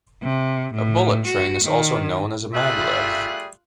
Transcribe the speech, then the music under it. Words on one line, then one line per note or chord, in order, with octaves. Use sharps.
A bullet train is also known as a maglev.
C3
A2
F#4
D#3
G3 A3 F4 G#4 E5 F#6